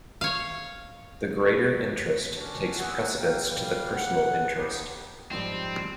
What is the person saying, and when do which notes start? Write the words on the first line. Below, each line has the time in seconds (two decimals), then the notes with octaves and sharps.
The greater interest takes precedence to the personal interest.
0.21 C#5 F5
2.37 C#4 D4 F#4
2.78 E4 F#4 G#4 F#5
3.18 A#3 A#4 F5 G5
3.51 G3 F5
3.94 F#5
4.55 D3 F3 B3 D#4 G4
5.31 G#2 F3 G3 C4